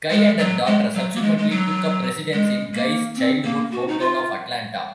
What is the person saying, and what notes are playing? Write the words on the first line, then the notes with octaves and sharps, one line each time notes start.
Guy and her daughter subsequently took up residence in Guy's childhood hometown of Atlanta.
G#3
F#3
G#3
F#3
A#3
G#3
G#3
F#3
G#3
A#3
C4
A#3
F#4
D#4
F4